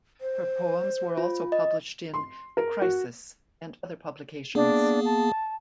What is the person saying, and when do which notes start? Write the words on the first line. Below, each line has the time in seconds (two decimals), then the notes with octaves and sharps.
Her poems were also published in "The Crisis" and other publications.
0.21 C5
1.17 F4
1.52 D#5
2.14 C6
2.57 A#4
2.82 F#4
4.55 A#3 B3 D4 G#4
5.05 A5